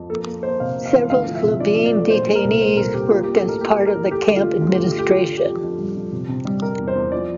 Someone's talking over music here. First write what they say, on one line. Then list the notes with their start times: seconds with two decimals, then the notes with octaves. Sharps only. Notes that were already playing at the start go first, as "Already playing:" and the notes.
Several Slovene detainees worked as part of the camp administration.
Already playing: F2
0.09 A#3 A4
0.27 A#3
0.43 A#3 C5
0.60 C3 F5
0.76 A#3
0.85 F5
0.94 E3
1.10 D2 F5
1.26 F3
1.35 E5
1.44 C3
1.60 F3 D5
1.77 F3
1.86 D5
1.94 A3
2.10 A#2 C5
2.27 A#2
2.35 A#4
2.44 C2
2.61 A3 C5
2.77 C2 A#4
2.94 C2 G4
3.11 A#3 F4
3.23 G4
3.28 A#3
3.36 A4
3.44 A2 A#4
3.61 A#3 G4
3.78 A#3
3.86 A#4
3.94 E3
4.11 A3 G4
4.28 D2
4.36 F4
4.45 A3
4.61 D2 F4
4.75 G4
4.78 D2
4.87 F4
4.95 A3 G4
5.11 D3 F4
5.28 D3
5.37 G4
5.45 F2
5.62 F2
5.78 G3
5.95 F2
6.12 C3
6.28 C3
6.45 G3
6.62 G3 A#4
6.78 E2
6.88 C5
6.95 E2
7.12 F3 D5